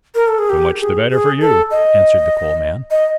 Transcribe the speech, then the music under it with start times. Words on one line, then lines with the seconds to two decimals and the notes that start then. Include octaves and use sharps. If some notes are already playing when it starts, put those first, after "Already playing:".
"So much the better for you!" answered the Coal Man.
0.15 A#4
0.28 A4
0.39 G#4
0.49 G4
0.80 G#4
1.11 G#4
1.41 A4
1.71 D#5
2.91 D#5